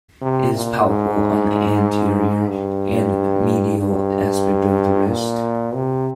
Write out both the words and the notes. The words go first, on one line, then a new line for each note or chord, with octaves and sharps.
It is palpable on the anterior and medial aspect of the wrist.
C3
A#2
G#2
G2
G2
A#2
C3